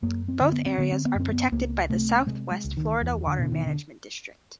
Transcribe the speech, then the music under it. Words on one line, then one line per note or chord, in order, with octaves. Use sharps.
Both areas are protected by the Southwest Florida Water Management District.
F#2 A#3
C4
D3
B3
C4
D3 B3
C4
B3
F#2 C4
B3
C#2 A#3
C3 A3
C3 G#3
G#3
C#2
D#3
E2 E3
D3
B2 D3
D#3
D3